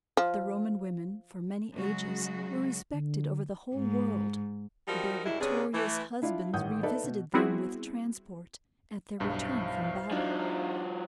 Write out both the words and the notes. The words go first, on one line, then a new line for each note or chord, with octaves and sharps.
The Roman women, for many ages, were respected over the whole world. Their victorious husbands re-visited them with transport, at their return from battle.
F3
C#3 F#3 G#3 F#4
D3
G#2
F3 G3 C4 D#4 F#4 A#4
F#2 C#3 G3 G#3 E4
C3 B3 C#4 D4 G#4
E3 A3
D4 E4 F4 D5
A1 D#3 F#5 D#6 G6
D#4 A4 B4 D5 E5
B2
G3 B3 C4 E4 F#4 G#4
B1 G2 E4 C5 F5
F#3 D4 D#4 F4